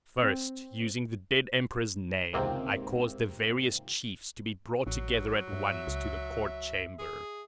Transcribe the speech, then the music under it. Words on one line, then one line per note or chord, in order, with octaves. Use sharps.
First, using the dead emperor's name, I caused the various chiefs to be brought together at once to the court chamber.
C4
C#2 G#2 C3 D#3 A#3 C4
A1 F#3
G2 E5
C#2
G#4